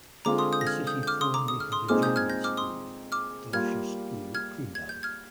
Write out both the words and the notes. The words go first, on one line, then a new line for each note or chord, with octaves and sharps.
The city formerly had a German school, Deutsche Schule Kroondal.
D3 G#3 C4 F4 A#5 D6
C6 D#6
D#6 G6
A#6
F6 G#6
D#6 G6
G6
D6 F6
C6 D#6
A#5 D6
D#6
F6
C6 D#6
A#2 G#3 C4 D#4 D6 F6
D#6 G6
F6 G#6
G6 A#6
D6 F6
C6 D#6
D6 F6
G3 A#3 F4 F6 G#6
F6 G#6
G#6
G6
F6 G#6